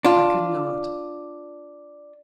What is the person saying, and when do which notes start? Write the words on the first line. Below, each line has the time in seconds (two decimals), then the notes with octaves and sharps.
I could not.
0.05 D4 F4